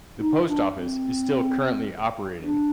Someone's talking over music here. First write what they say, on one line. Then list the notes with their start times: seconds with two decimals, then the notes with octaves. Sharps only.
The post office is still currently operating.
0.19 D#4
0.47 D4
0.74 C4
2.40 D4